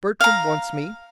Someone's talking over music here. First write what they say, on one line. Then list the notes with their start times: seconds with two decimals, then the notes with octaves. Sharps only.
Bertram wants me.
0.20 F5 A#5